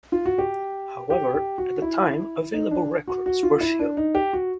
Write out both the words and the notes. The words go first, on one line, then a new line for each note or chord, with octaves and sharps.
However, at that time available records were few.
F4
F#4
G4
G4
G4
F#4
E4
D#4
D4
F#4
F#4
F4
E4
D4
D#4
G4
F#4